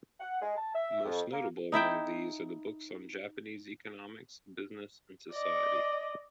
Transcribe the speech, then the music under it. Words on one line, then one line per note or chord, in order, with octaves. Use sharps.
Most notable among these are the books on Japanese economics, business, and society.
F#5
G#3
A5
E5
F2
A#3
D#4 E4 E5 G5
D5 D#5